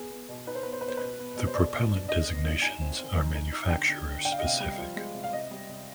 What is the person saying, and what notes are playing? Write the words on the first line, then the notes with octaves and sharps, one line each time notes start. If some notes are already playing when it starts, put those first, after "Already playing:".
The propellant designations are manufacturer specific.
Already playing: B3 G#4
B3
B2
D#4 B4
C5
B3 B4
C5
B3 B4
C5
B2 B4
B3
B2
C5
B2 D5
B2
D4
D4 D#5
B3
G2
D#4 G#5
C4
C4
D#4
D#4
D#4
D3 G5
D3
D3
D4 G5
F5
D#5
C3 F5
G3
F3
G#3
C3
F5
C3 D#5
G3
C3